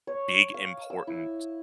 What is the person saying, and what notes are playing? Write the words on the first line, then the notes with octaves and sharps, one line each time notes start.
big important
C#5
F5
E6
E4